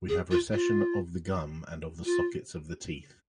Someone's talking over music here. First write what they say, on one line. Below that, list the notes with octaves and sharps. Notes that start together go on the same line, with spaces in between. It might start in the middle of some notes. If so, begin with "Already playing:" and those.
We have recession of the gum and of the sockets of the teeth.
G#4
F4
F4
F4